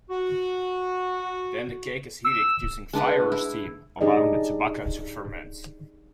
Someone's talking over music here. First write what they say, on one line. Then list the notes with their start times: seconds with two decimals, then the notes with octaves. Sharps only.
Then the cake is heated using fire or steam, allowing the tobacco to ferment.
0.10 F#4
2.25 E6
2.93 G#3 D4 B4 F#5
3.32 E4
4.01 D4 D#4 G4 G#4 D5 D#5